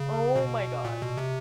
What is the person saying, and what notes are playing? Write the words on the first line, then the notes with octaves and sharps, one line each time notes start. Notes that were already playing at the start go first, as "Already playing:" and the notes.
Oh my god.
Already playing: C#3
B2
A#2
B2
C3